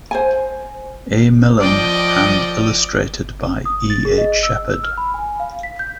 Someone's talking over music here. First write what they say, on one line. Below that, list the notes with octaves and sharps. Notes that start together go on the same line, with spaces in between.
A. Milne and illustrated by E. H. Shepard.
C5 G#5
F3 D5 D#5 G5
D#6
A6
G#4
D#5
E6
F6
B5
G#5
F5
B6
G6